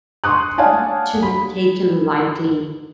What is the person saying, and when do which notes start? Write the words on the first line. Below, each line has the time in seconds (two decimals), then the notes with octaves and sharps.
Not to be taken lightly.
0.24 C6 C#6 D#6 F#6
0.58 C#5 D5 F5 F#5 G#5 A5
1.23 B5